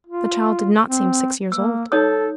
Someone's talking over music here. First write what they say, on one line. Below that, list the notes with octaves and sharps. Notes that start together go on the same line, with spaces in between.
The child did not seem six years old.
F4
C4
A#3 E6
D#4 A4 C#5 D#6